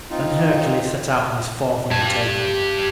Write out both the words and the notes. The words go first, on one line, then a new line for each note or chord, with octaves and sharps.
Then Hercules set out on his fourth undertaking.
C4 D#4 F4
G4 A5